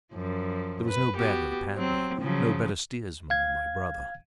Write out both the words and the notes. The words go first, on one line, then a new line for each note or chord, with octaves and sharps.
There was no better paddler, no better steersman than my brother.
F#2 F3
B4
B3 F#4 G4
F#3 C4
C#3 F3 F#3
F5 G#6